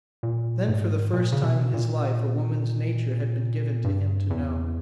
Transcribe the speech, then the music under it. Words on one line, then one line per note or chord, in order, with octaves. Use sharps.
Then, for the first time in his life, a woman's nature had been given to him to know.
A#2
G#2
A#2
C#3
B2
A#2
G2
E2